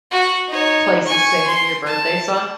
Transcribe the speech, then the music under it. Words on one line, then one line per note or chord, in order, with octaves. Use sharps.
place is singing your birthday song.
F#4
D#4 C#5
G#5 C#6
C6
A5